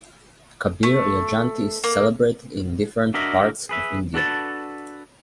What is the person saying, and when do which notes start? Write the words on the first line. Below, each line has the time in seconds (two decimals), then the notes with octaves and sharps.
Kabir Jayanti is celebrated in different parts of India.
0.83 A3
1.84 A#3
3.14 D4 F#4 A#4 D#5 E5
3.69 G#4 B4 E5
4.14 D4 F#4 A4 B4 A5